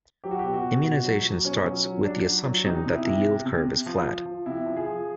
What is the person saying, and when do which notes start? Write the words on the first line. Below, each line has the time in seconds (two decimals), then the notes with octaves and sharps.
Immunization starts with the assumption that the yield curve is flat.
0.24 F#3 G4
0.31 F#4
0.39 B2 G4
0.54 F#4
0.64 B2
0.84 B2 F#4
1.04 F#3
1.25 F#3
1.45 B2 C#4
1.64 F#3
1.85 F#3
2.04 F#3 D4
2.25 F#3
2.45 F#3
2.65 C3 D#4
2.85 C3
2.95 E4
3.05 C3
3.25 C3
3.46 C3
3.65 C3
3.86 F3
4.06 F3
4.26 F3
4.46 C3 E4
4.66 F3
4.77 G#4
4.86 F3